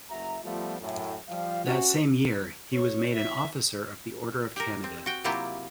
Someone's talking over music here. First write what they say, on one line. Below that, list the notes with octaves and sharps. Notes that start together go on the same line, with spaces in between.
That same year, he was made an Officer of the Order of Canada.
F#1 F#4 E5 A#5
F3 G3 A3 B3 F4
F#2 A2
F3 G3 F5
C#4 F#4
C#5
E5
G4 A#4
C4
F#4 G5
C3 F#3 A#3 E4 F4 G4